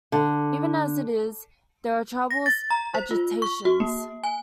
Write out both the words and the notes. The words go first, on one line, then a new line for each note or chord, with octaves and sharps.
Even as it is — there are troubles — agitations.
D3
A#6
A6
A#5
C5
F4
C#6
F#4
A#3
G#5